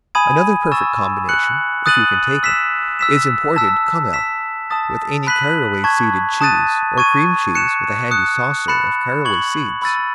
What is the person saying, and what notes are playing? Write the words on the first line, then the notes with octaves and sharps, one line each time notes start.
Another perfect combination, if you can take it, is imported kuemmel with any caraway-seeded cheese, or cream cheese with a handy saucer of caraway seeds.
G#5 B5 D#6 G#6 D#7
C#6 E6 A6 E7
F#6 C#7 F#7
D#6 F#6 A6 D#7 F#7
E6 B6 E7
E6 B6 E7
A5 E6 B6
E6 B6 E7
A5 D#6 A6
B5 F#6 B6 D#7 F#7
A5 C#6 G#6
A5 D#6 F#6 A6 D#7
C#6 G#6 D#7
F#6 C#7 E7
D#6 F#6 C#7
B5 F#6 A6 C#7 E7
C#6 G#6 C#7 F#7
B5 E6 A6 D#7